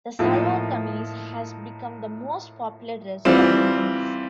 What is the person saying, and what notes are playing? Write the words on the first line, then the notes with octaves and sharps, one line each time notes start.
The salwar kameez has become the most popular dress for females.
A2 F3 A#3 D#4
E3 G3 C4 F4